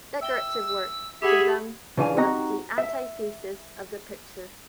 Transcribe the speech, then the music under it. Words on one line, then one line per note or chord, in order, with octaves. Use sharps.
Decorative work, to them, was the "antithesis of the picture".
E5 G5 E6 G7
G4 G#4 E5 F#5 B5 G#6
C#3 E3 D4 F4 F5 G#5
C4 D#4 F#4 G4 A#5
E5